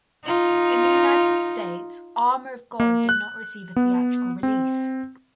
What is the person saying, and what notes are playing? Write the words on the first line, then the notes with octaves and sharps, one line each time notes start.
In the United States, "Armour of God" did not receive a theatrical release.
D#4 F4
A#3
F#6
B3
C4